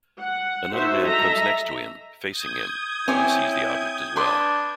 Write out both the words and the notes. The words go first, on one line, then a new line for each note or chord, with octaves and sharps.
Another man comes next to him, facing him, and sees the object as well.
F#5
D#4 F#4 C5 E5
A4 D#5 E5 A#5
D#6 G6 G#6
C4 E4 C#5 G#5 D6
D4 B4 C6 D6